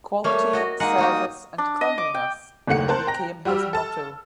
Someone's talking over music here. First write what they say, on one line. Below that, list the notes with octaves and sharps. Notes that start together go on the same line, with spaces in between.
"Quality, Service and Cleanliness" became his motto.
G3 A3 A#3 C#5
F#4 D#5
G#3 A#3 D#4 F#5 D#6
G3 F#4 G4
D4
D#5
D6
G5
F#1 D#2 A3 F#5 C#7
A#4 C5 A5 F#6
G5 A#5 A#6
G3 F#4 G4 E6 F6
A4 A5